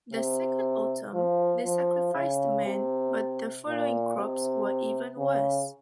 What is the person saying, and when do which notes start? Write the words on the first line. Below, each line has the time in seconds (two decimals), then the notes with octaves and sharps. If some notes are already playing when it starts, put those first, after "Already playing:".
The second autumn, they sacrificed men, but the following crops were even worse.
0.13 C3
1.14 F3
1.65 F3
2.15 C#3
2.65 C3
3.67 A#2
4.17 C3
5.18 C#3